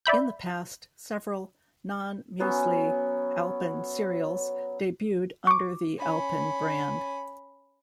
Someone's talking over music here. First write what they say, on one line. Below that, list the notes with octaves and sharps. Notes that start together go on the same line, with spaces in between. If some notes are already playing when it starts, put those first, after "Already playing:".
In the past, several non-muesli Alpen cereals debuted under the Alpen brand.
D5 E5 B5 G6
F#3 B3 C#4
C#6 D6
C#4 B5